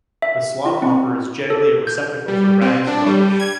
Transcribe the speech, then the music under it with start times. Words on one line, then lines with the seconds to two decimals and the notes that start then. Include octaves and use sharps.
The slop-hopper is generally a receptacle for rags and rubbish.
0.22 E5
0.66 E4
0.82 C4
1.50 A4
1.87 G6
2.28 G3
2.61 C4
2.87 D4
3.06 G3
3.40 G#6